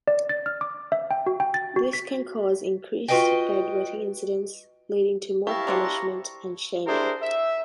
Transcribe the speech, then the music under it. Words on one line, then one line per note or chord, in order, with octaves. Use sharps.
This can cause increased bedwetting incidents, leading to more punishment and shaming.
D5
A6
F6
D6
E5
G5
F#4
G5
A6
F#4
B6
F4 F#4 G#4 B4 D#5 G5
E4 G4 F5 A5 C#6 F6 A#6
A#3 C4 D4 A#5 D6 C#7
A#6
D4 E4 G4 G#4 A#4 C5
E5